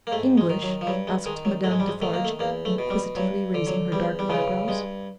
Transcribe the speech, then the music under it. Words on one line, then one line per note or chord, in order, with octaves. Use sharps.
"English?" asked Madame Defarge, inquisitively raising her dark eyebrows.
A#3
G#2 A3
G#3
D#3
F#3
F3
G2 F#3
G#3
D#3 G#3
F#3
G#2 A3
G#3
G3
G#3
D#3 A3
A#3
A3
E2 A#3
A3
B2
G3
G2 F#3
D3
F#3
E2 G3
G3
C#3 E3 G#3
G2 G#3